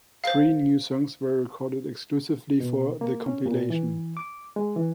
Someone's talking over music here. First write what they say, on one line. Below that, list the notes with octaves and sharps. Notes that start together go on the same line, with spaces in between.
Three new songs were recorded exclusively for the compilation.
C5 F5
B2
A#3
C#4
A#2
E3
D6
G#3
E3